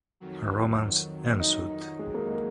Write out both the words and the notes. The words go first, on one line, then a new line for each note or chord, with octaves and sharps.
A romance ensued.
F2 D#3 F#3
D#4
G#3
A#3
G#3